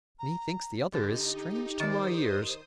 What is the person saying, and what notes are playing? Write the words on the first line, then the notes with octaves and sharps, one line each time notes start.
Methinks the other is strange to my ears.
A#5
D3 D#4 G4
D#3 C5 D5 D#6